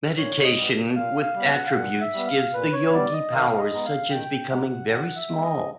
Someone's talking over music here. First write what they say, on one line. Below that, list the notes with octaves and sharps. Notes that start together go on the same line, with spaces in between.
Meditation with attributes gives the yogi powers such as becoming very small.
A#2 C#5
D#5
G3
B3
A#2 F5
F5
G3 B3
F#5
F5
A#2 F#5
E5
G3 B3
F5
A#2 B4
C#5
G3 B3 D5
D#5
D#3 F5
D#5
G#3 B3 D#4
F5
D#3 G5
G#3 B3 D#4 F#5
D#3 F#5
E5
G#3 B3 D#4
D#5